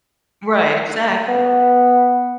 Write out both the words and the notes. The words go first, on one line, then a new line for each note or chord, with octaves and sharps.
Right, exactly.
B3